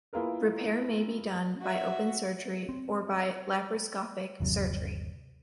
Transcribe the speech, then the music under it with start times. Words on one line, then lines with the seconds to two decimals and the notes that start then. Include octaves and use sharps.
Repair may be done by open surgery or by laparoscopic surgery.
0.13 A#3 E4 F4 G#4 A#4 B4
1.61 F#4 E5
2.69 C4
4.40 G1 D#2 C3 F#3